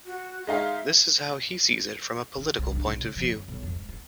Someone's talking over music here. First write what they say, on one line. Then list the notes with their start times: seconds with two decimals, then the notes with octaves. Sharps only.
This is how he sees it from a political point of view.
0.06 F#4
0.47 G#3 D#4 E5 F5
2.37 D3
2.58 C2
2.72 D4
2.85 B1
2.99 C#3
3.16 F3
3.32 F#2
3.48 B1
3.63 F2
3.76 G#3
3.89 B3